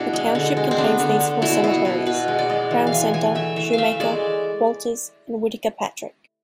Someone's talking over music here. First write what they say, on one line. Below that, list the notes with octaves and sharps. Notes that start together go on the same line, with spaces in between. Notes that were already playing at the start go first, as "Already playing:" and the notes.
The township contains these four cemeteries: Crown Center, Shumaker, Walters and Whitaker-Patrick.
Already playing: B2 D4 E4 G#4
G#3
D3
G#3
C4
B3 D4
D3
D3
B2 E4
B2 E4
B2
B2 B4
G#3
D5
G#3
E3
F5
E3 G#5
E3 G#5
A3 E5
E3 E5
A3 E5 F5
G#3 D5